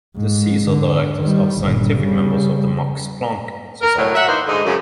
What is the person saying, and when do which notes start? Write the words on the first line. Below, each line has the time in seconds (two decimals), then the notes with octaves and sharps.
The caesar-directors are scientific members of the Max Planck Society.
0.16 G#2
0.64 D3
1.21 D#3 G3
1.61 G1 A#2
1.90 C#3 G3
3.81 A#4
3.97 A2 F#3
4.15 E5 F#5
4.28 E3 A#3 D#4 C5
4.47 G#2 D3 G#3 D#4
4.64 F#2 C#3